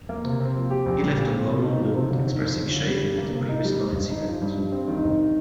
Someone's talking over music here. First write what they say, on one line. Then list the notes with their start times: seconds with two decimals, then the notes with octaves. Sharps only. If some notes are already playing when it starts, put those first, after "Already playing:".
He left a long note expressing shame at the previous night's events.
0.09 A#3
0.25 C3
0.40 C4
0.55 F3
0.70 G4
0.86 A#1
1.02 G3
1.17 A#2
1.32 C4
1.47 C3
1.63 D#4
1.79 F3
1.94 C3
2.10 G1
2.25 D#3
2.40 F2
2.56 G1
2.71 G1
2.86 G3
3.02 G2
3.18 A#3
3.33 C3
3.49 D#4
3.64 G3
3.80 C5
3.95 G2
4.10 D#4
4.26 F3
4.41 G2
4.57 G2
4.72 C4
4.88 D#3
5.03 D#4